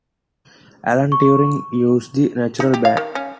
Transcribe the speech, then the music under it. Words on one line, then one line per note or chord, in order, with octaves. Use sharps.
Alan Turing used the "natural ban".
C#6
D#4
G4
F5
D#3
C#4